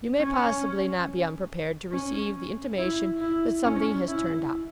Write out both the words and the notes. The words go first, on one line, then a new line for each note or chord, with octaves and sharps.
'You may possibly not be unprepared to receive the intimation that something has turned up.
C#4
C#4
E4
E4
C#4
E4